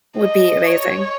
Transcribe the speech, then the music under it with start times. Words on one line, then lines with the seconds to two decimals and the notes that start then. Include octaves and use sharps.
would be amazing.
0.16 D#5
0.69 C#5